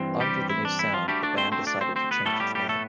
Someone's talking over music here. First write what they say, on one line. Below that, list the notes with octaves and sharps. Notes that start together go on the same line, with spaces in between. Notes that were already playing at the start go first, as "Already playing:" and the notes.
Armed with a new sound, the band decided to change its name.
Already playing: G2 E3 C4
G3 G4
E4
D4
E4
F3 F4
D2 D3 G3 A3 G4
D4 D5
C4 C5
C4 C5
D4 D5
C4 C5
C4 C5
B3 B4
A2 G3 A3 B3 A4
G3 G4
G3 G4
A3 A4